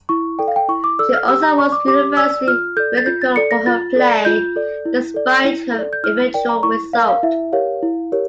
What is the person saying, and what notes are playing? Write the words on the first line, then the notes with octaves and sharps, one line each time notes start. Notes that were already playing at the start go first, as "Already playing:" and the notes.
She also was universally ridiculed for her play, despite her eventual result.
E4 C#6
A4 D5 G5
F5
G5
E4 C#6
D6
A4 D5 E6
F6
G4 E6
A#5
D5 C#6
D6
G4 D6
D5 E6
F4 F6
A4 D5 G6
A6
F4 G6
A6
A4 D5 C#7
A#6
F4 A6
A4 D5
F4 G6
A4 D5
E4
A4 D5
E4
A4 D5
G6
E4 F6
A#4 D5 G5
A#5
E4 C#6
A#4 D5 F5
F5
E4 E5
G4 A#4 C#5 F5
E4
G4 A#4 C#5